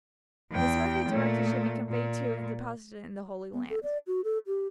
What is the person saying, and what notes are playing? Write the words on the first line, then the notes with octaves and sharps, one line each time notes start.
His heart he directed should be conveyed to and deposited in the Holy Land.
E2 G5
A#2 A3
A#2
B3
A4
D5
F#4
A4
G4